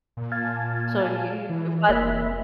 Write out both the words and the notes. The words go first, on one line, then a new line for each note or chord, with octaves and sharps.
So you uh, what
A#2
F5 G#5 A5
E3
F1 A#3 E5 B5